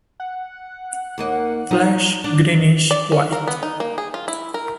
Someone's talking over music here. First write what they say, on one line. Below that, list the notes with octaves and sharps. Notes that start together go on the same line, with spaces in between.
Flesh Greenish white.
F#5
D#2 A#3 D#5
F3 F#3 D#4
D4
D5
C#4
A#4
B3
D#4
A#3
G#4
F4
E4
A#4